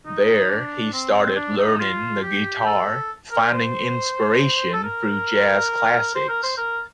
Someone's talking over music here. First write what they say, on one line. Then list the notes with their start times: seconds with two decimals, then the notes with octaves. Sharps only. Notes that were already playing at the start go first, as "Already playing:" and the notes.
There, he started learning the guitar, finding inspiration through jazz classics.
0.06 D#4
0.49 D4
0.93 C4
1.36 D4
1.58 D#4
1.79 F4
2.23 G4
2.66 A4
3.32 A#4
3.53 C5
4.74 A4
4.85 A#4
6.15 C5
6.29 A#4
6.44 C5
6.58 A#4